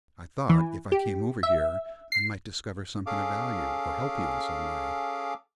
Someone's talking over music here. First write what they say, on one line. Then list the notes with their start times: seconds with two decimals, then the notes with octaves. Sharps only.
I thought, if I came over here, I might discover something of value, or help you in some way.
0.50 E3
0.92 G4
1.43 E5
2.12 C7
3.06 C#4 G#4 A4 F5 D6